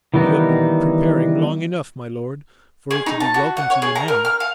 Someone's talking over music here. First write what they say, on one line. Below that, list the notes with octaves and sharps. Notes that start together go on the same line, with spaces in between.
"You have been preparing long enough, my lord, for it to be welcome to you now."
D#3 E3 G3 B3 D#4
G#4
D#4
A5
F#4
F#5
C#5
G#4
A#5
A#4
F6
F5